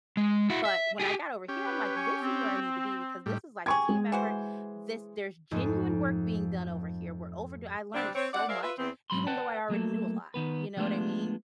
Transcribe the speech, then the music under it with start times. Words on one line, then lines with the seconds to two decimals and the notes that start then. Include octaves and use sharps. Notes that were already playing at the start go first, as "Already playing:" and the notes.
But, when I got over here, I'm like, "This is where I need to be because this is like a team effort. This there's genuine work being done over here. We're overdue." I learned so much, even though I already knew a lot. You know what I mean?
0.17 G#3
0.50 E4 F#4
0.65 E5
1.00 G4 G#4
1.49 C#4 G4
1.66 B4
1.96 G#5 C#6
2.22 C4
3.26 A2 G3
3.66 G4 G#4 C#6 G#6
3.89 G#3
4.12 E3 F#4 C5
5.51 F2 G#2 F3 G#3 A3 D#4
7.95 C3 G3 C4 D4
8.15 C4 C#5
8.33 C4 D4 D5 F#5
8.49 G#4 A#4 C5 D5 E5 F5
8.63 F4 B4 E5
8.78 E2 E3 B3 C4
9.10 G#2 F#3 B5 C6
9.27 B4 D5 F#5 G5 A5
9.70 F#3 A3 A#3 A4
10.34 D#3 B3 B4
10.77 F3 G#3 A3 B3 D4 F4